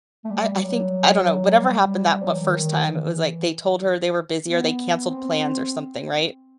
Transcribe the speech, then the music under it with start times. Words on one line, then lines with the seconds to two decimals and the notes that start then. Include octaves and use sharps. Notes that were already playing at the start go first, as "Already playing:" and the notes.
I I think I don't know, whatever happened that what first time, it was, like, they told her they were busy, or they canceled plans or something, right?
0.25 A3
0.30 G3
0.41 G3
0.52 G3
0.62 F#3
1.58 G3
2.22 F#3
2.33 E3
2.43 D#3
2.86 E3
4.45 B3
5.09 C4